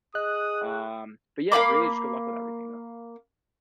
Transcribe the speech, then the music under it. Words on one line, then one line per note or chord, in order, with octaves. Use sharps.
um, but, yeah, really, just good luck with everything, though.
G#4 D#5 D#6 F#6
A#3 F5 B5 D6